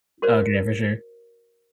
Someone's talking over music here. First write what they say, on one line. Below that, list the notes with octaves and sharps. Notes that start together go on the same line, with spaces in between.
Okay, for sure.
F#4 A#4 C5 D5